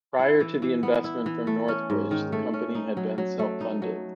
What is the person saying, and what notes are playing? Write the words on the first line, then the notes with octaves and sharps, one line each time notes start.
Prior to the investment from North Bridge, the company had been self funded.
E4
E3
E3
B3
E4
E3
A3
C#4
G#2
D#3
A3
C#4
D#4
F#3
F#3
A3
D#4
F#3